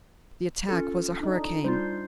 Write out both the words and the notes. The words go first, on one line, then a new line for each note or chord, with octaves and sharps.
The attack was a hurricane.
C#4 F4 A4
D4 D#4
G3 D4 D#4 F4 C5